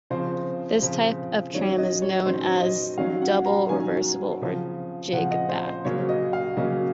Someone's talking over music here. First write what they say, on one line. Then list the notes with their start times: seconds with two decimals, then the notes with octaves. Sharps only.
This type of tram is known as a double-reversible or "jig-back".
0.10 C#3 F3 C4 C5
0.82 C#3 F3 C4
1.53 D#3 F#3 C#4 C#5
1.78 D#5
2.02 C#5
2.26 D#3 F#3 C#4 C5
2.61 D#5
2.98 D#3 F#3 C#4 F5
3.22 F#5
3.46 A#5
3.69 D#3 F#3 C#4 G#5
4.42 C#3 F3 C4
5.13 C#3 F3 C4 F#5
5.31 D#5
5.49 C5
5.67 C5
5.85 C#3 F#3 A#3 C#4 C#5
6.09 D#5
6.33 F5
6.57 C#3 F#3 A#3 C#4 D#5